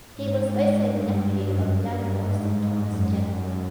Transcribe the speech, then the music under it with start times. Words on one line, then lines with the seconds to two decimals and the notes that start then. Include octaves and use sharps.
He was also the nephew of Daniel of Saint Thomas Jenifer.
0.16 G#2
0.84 G2
1.51 F#2
1.86 G2
2.19 G#2
2.87 F#2